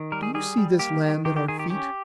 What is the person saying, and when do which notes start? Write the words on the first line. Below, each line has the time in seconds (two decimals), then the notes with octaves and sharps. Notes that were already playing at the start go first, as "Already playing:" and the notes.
'Do you see this land at our feet?'
Already playing: D#3
0.12 G3 A#4
0.23 G#4
0.34 G3 G#4
0.57 G3
0.79 A#3 G4
1.03 D#3
1.25 D#3 G4
1.36 G4
1.48 D#3 G#4
1.59 G4
1.70 C#4 G4